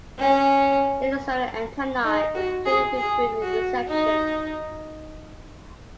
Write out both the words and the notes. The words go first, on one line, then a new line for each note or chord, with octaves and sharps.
An external antenna is included to improve reception.
C#4
D#4
F#4
G#4
G#4
F#4
D#4